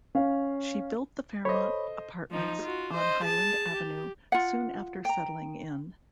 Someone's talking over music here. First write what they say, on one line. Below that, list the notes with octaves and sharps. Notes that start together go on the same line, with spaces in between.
She built the Fairmont Apartments on Highland Avenue soon after settling in.
C#4 F5
A4 C5 C#5 D#5 B5
F3 D#4
F4 F#4
C5 D#5
G#4 A5
G4
F4 F#5
G5 A#5